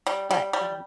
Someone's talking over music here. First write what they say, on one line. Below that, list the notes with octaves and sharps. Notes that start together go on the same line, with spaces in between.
but, um
G3
G3
G3